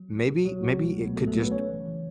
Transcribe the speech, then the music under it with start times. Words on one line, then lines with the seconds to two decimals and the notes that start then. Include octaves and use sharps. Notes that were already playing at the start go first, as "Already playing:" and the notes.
maybe maybe it could just
Already playing: F#3
0.10 C#2
0.28 B2
0.45 B2 F#3 F#4
0.63 C#2 F#3 F#4
0.81 B2 G#3
0.93 A3
0.98 C#2
1.04 B2 B3
1.16 C#2 A3 A4
1.27 A3 A4
1.34 F#3
1.40 B3 B4
1.51 C#3 C#4 C#5
1.70 E3
1.86 E3